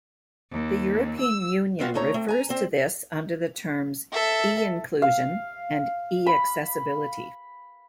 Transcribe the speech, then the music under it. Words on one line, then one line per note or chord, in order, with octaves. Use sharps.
The European Union refers to this under the terms eInclusion and eAccessibility.
D#2
E6
B3 C4 F4 F#4
D2 A3 D#4 C#5 A#5
A3 C4
G#5 A#5
C4 C5
A4 E5
F5
B5